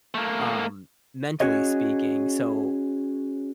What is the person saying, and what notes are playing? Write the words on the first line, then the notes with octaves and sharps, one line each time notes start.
um, mentally speaking so
A3 A#3
C#4 D#4 F#4 G#4 C#5 D#5